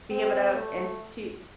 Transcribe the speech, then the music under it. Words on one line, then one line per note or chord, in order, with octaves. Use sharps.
be able to institute
C4
A3